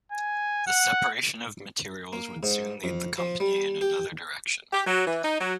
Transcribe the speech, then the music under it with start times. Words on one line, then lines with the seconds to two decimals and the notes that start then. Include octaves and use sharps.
The separation of materials would soon lead the company in another direction.
0.12 G#5
0.67 F#5
2.13 A#3
2.43 G#2
2.84 F2
3.18 F3
3.40 G3
3.81 G4
4.73 G4
4.87 F#3
5.07 E3
5.25 D#4
5.41 F#3